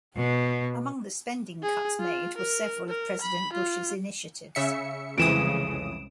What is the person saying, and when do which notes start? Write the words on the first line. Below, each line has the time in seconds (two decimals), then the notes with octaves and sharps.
Among the spending cuts made were several of President Bush's initiatives.
0.17 B2
1.63 G#4
2.00 F4
2.38 A#4
2.89 A#4
3.21 B5
3.53 F4
4.55 C#3 E5 C#7
5.18 C2 F2 C#3 E3 G#3 D#6 D7 E7